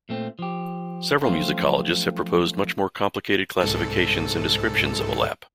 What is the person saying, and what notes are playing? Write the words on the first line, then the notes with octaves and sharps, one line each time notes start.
Several musicologists have proposed much more complicated classifications and descriptions of alap.
A#2 A3 C4
F3 G4
F3 F#3 A3 C4 C#4 F4
C2 G#2 A4